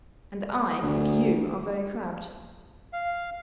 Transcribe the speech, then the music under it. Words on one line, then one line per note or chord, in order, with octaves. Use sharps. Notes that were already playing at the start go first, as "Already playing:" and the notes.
"And I think you are very crabbed."
D2
F5